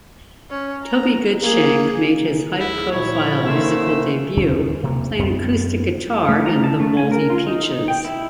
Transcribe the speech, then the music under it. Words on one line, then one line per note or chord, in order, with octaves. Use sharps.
Toby Goodshank made his high-profile musical debut playing acoustic guitar in The Moldy Peaches.
C#4
A#5
A#3 G#4
D2 E4 G#4
A#2 F3 E4 C#5
G#2 A3 A#3 C#4 C5 E6
E2 D3 C#4
B1 C3 A#3
F#2 B3 C4
A3
A#5
A5
A3
G#5
A#4
F4
D#4
D#4
G5
E4